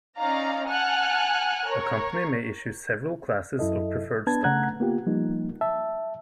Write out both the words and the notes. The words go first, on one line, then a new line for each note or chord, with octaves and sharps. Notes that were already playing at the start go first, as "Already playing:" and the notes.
A company may issue several classes of preferred stock.
C#4 D#4 D5 F5 A#5
F#5 G#5 A5 F6 F#6
A#4 C#5
F#2 E4 A4 D#5
B3 D4 B4 A5 G#6
C#3 A3 F#5 A#5 F#6 G#6
A#3 B3 F4 G4
F3 G3 A#3 D#4
E5 A5